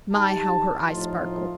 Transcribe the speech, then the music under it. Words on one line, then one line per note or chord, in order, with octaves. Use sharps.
My, how her eyes sparkled!
D#4 G4 A5
A2 F3 D#4 F4